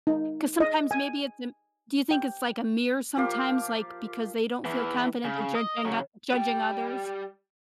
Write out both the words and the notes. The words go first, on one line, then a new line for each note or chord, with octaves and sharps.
'cause sometimes maybe it's im Do you think it's, like, a mirror sometimes, like, because they don't feel confident they're judging o judging others?
D#4
D#5
G#5
G5
F3 A#3 G4 F5
E2 E3
C#3
D#5
C#3 F#3
G3 G5